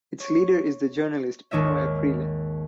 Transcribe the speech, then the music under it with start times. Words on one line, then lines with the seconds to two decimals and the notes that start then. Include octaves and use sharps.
Its leader is the journalist Pino Aprile.
0.20 C#5
1.51 G#1 D#2 D#3 C#5 D#5 E5